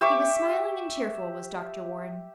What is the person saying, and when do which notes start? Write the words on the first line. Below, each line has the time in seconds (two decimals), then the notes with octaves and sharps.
He was smiling and cheerful, was Dr. Warren.
0.01 G4 E5 C#6 D6